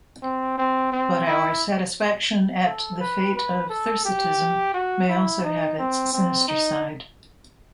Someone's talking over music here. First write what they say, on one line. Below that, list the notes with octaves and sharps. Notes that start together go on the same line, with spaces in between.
But our satisfaction at the fate of Thersitism may also have its sinister side.
C4
C4
C4
E4
A4
B4
B4
A4
G4
F#4
E4
D#4
C4
C4
D#4